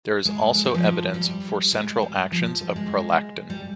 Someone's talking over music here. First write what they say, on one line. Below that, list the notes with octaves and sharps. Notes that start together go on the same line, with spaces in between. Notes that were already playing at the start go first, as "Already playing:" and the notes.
There is also evidence for central actions of prolactin.
G#3
G#3
G3
F3
G3
G#3
G3
F3
G3
G#3
G3